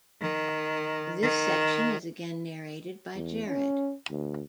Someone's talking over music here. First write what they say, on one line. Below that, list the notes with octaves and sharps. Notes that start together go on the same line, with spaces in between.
This section is again narrated by Jared.
D#3
D#3
E2
C#4
D2